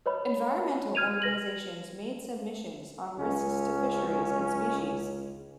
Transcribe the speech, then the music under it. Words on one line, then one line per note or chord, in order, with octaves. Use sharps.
Environmental organizations made submissions on risks to fisheries and species.
B4 C#5 D#5 B5
F6 G#6 D#7 F7
B4 A#6 F#7
C#2 C#4